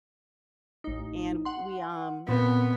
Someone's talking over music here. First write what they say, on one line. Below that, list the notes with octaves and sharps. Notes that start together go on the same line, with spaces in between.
and we, um,
A1 D#4
F#5 C6
A#2 B3 C4